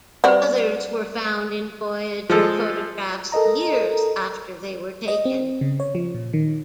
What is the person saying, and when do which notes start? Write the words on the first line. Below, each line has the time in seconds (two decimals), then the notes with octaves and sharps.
Others were found in Voyager photographs years after they were taken.
0.24 G3 C4 F#4 B4 C5 D5
2.30 F3 G#3 A4
3.32 A4 A#4 D#5 A#5
5.08 D#5
5.25 C4
5.61 C#3
5.80 C#5
5.95 F3
6.15 A#2
6.33 D#3